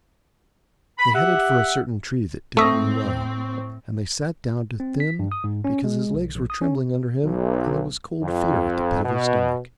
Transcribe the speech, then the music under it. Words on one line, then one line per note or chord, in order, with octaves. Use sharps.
They headed for a certain tree that Dick knew well, and they sat down to thin, because his legs were trembling under him and there was cold fear at the pit of his stomach.
B5
G4 E5 F#5
A2 A3 C4 E5 C#6 D#6 A#6
C4
B6
G2
D#6
G#2
C#4
G#3
B1
A#1
D#6
C#4
B1
F2
B2